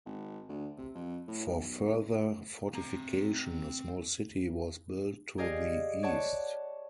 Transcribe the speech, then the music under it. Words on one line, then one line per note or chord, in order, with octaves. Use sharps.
For further fortification, a small city was built to the east.
G#1
D2
C3
F2
A2
B1
C#2
C4 A#5
G4 G#4 D5 D#5 F5
C#5 D5 F#5 A5